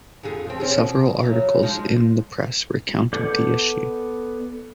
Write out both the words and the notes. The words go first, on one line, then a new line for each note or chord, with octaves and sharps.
Several articles in the press recounted the issue.
F2 D3 G#4
F3 C4
C4 C#4 G#4
B2
E2 C#3 F#3
F3 G#3 D#4
B3 A4 D5 D6 G6